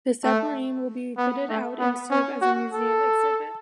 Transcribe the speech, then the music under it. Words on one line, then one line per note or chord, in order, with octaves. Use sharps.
The submarine will be fitted out and serve as a museum exhibit.
A3
B3
A3
B3
C#4
F#4
A4